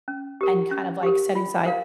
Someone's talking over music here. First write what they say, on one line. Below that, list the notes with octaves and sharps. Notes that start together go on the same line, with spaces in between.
and kind of like setting aside
C#4
G4 A#4
C#4
G4 A#4
F4
A#4 F5